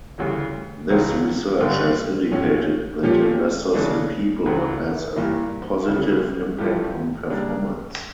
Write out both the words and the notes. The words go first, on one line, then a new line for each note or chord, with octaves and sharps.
This research has indicated that Investors in People has a positive impact on performance.
D2 C#3 E3 G3
C#2 C#3 E3
G2 D3 G3
A2 F3 C#4
A#2 F3 A3 C#4 G4
C#3 E3 A3 D4
C#2 C#3 E3
G2 E3 A#3 E4
D2 C#3 G3 C#4 E4
G2 F3 A3 E4 G4
C#3 G3 A#3 D4